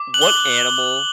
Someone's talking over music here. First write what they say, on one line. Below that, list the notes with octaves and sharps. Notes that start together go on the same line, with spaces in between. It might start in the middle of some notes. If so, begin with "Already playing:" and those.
What animal,
Already playing: D6
F#6 F#7
G7
F#7
F#6